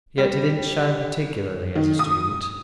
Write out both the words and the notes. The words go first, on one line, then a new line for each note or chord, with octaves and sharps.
Yet he didn't shine particularly as a student.
G3
D#3
D#6